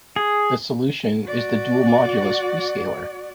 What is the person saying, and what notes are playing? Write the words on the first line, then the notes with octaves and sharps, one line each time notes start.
The solution is the dual modulus prescaler.
G#4
F#4 D5